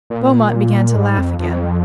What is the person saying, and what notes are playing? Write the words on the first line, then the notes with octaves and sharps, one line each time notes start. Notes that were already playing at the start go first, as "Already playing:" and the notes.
Beaumont began to laugh again.
A#2
G#2
F2
F2